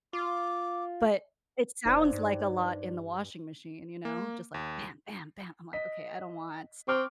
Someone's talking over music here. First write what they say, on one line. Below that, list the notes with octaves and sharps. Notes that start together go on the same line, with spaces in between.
but it sounds like a lot in the washing machine, you know, just like bam bam bam I'm, like, okay, I don't want,
F4 D6
E1 D#4 C5 D5
G2
A#3
D#2
D#5 B6
C4 C#6 D6 F6